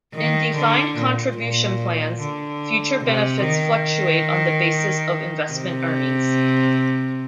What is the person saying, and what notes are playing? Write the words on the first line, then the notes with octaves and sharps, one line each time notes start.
In defined contribution plans, future benefits fluctuate on the basis of investment earnings.
D#3
D3
A#2
A#2
D3
C3
D#3
C3